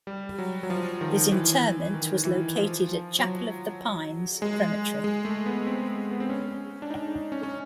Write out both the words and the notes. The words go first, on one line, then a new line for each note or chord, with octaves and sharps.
His interment was located at Chapel of the Pines Crematory.
G3
F#3
F#3
F3
D#3
E3
D#3
E3
F3
F#3
G#3
G#3
A3
B3
C4
B3
C4
C#4
D4
D#4
C#4
C#4